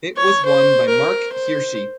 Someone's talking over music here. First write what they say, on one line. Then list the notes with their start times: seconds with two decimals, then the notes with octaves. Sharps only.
It was won by Marc Hirschi.
0.17 C#5
0.46 C5
0.89 A#4
1.32 C5